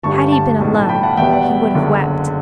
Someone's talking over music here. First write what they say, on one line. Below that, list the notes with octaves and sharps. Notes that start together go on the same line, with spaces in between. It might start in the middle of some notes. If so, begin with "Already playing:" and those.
Had he been alone, he would have wept.
G1 G2 D3 G3 A5 C#6
A5 C#6
B1 A2 E3
A5
G5 B5
F#5 A5
E2 B2 G3 B3 E5 G5
D5 F#5
F#1 F#2 D3